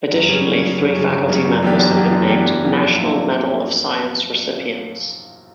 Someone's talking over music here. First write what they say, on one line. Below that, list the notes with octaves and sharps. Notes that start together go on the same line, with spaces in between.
Additionally, three faculty members have been named National Medal of Science recipients.
F#2
C#3 G3 C#4
F#2
C#3 G3 C#4
F#2
C#3 G3 C#4
F#2
C#3 G3 C#4
F#2
E3 B3 D4 G4
F#2
E3 B3 D4 G4
F#2
E3 B3 D4 G4
F#2
E3 B3 D4 G4
A#1
A#2 F#3 A#3 E4